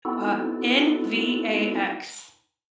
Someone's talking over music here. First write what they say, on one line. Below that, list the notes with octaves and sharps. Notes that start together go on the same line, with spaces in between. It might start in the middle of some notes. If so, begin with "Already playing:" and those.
Uh, N-V-A-X.
B3 C4 D#4 E4 F#4 A4